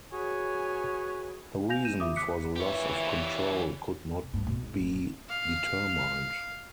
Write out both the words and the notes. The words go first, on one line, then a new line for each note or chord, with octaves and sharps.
The reason for the loss of control could not be determined.
F#4 G#4 B4 C#5 G#5
F5 G#5 G6 A#6 F7
G6 D#7 E7
F4 E5 D6 D#6
D6 F#6 B6 C#7
E2 A#2 E3 G4 C#5
C3
G2
B2
G#2
D1
A#2
F5